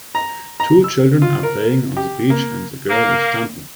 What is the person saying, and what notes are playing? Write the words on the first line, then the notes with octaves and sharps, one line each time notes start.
Two children are playing on the beach and the girl is jumping.
A#5
A#5
E6
F4
A#4
G4
A#3
A#3